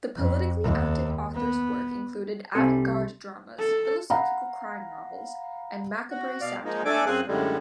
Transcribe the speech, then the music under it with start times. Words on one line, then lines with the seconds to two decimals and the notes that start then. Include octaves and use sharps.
The politically active author's work included avant-garde dramas, philosophical crime novels, and macabre satire.
0.16 F2
0.62 D#2
1.34 B3
2.54 C2 G3 A3 C4 A4 G#5
3.59 A4
4.10 F5 F#5 A#5 B5
6.10 F#4
6.41 B2 D5 F5
6.65 F3 G#3 A#3 D#4
6.85 A3 D4 A4 D5 G#5 D6
7.06 F#2 C4 F4 G#4 G#5 F#6
7.28 F#2 A2 D3 G3 G#3